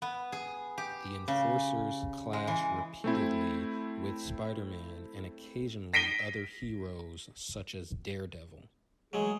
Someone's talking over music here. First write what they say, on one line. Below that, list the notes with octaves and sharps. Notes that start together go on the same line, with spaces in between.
The Enforcers clash repeatedly with Spider-Man and occasionally other heroes such as Daredevil.
B3
G#4
G4
C#3
G#3
E3
A3 C4 E4
A#6 B6 D7 D#7 G7
E3 F#3 G#3 A3 G#4